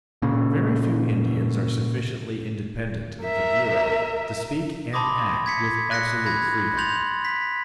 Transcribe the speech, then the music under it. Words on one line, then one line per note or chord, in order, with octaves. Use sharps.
Very few Indians are sufficiently independent of the Bureau to speak and act with absolute freedom.
A#2 C#3
A#4 E5
A5 B5 C6 D6 D#6 A#6
G#6 B6 C#7
F#6 A#6 C#7
B5 G#6 A#6
C6 G6 A6 F7 F#7
B6